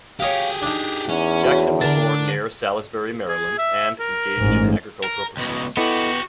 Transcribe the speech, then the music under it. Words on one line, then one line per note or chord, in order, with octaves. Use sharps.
Jackson was born near Salisbury, Maryland, and engaged in agricultural pursuits.
G4 G#4 C#5 D#5 F5
D4 D#4
E2 C#4
F#4 C#5
D3 D4 A#4 A6
G#4
E5
A#4
A1 G#2
A#4
C#2 B2
B3 E4 F#4 G4 A4 D#5